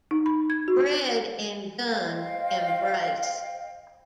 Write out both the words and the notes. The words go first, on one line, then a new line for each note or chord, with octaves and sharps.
Fred and Gunn embrace.
D#4
B5
G#6
F#4
C5 D#5 F5 G5